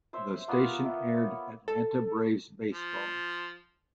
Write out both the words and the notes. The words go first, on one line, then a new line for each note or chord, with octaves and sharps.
The station aired Atlanta Braves baseball.
C5 C#5 E5
A#3 B3 F4
E4
C#5
A4
F3